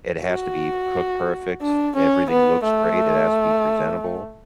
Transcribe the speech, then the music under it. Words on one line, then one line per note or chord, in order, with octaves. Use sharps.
It has to be cooked perfect. Everything looks great, it has to be presentable
F#4
D4
C#4
B3
A3